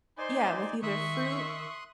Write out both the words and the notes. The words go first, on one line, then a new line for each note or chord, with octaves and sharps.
Yeah, with either fruit,
D#4 C5 D5 G#5
D#3 E5 C6 C#6 D#6 F#6